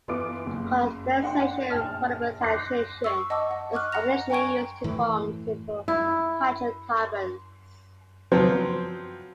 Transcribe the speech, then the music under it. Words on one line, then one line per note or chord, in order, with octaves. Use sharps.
Condensation polymerization is occasionally used to form simple hydrocarbons.
E3 B3 F4 D6 D7
F#1
D4 F#5 G5 C6
A#1 G5 A5 F6
C6 D6 F#6 G6 A#6 C7
C#6 E6
D#5 F#5 A5 C#6 D6 E6
F#5
D#5 C#6 D6 F6 F#6
F#5 A#5 A#6 F7
G5 G#5 A#5 C#6 G#6 D7
A2 E3
E4
F3 F#3 B3 C4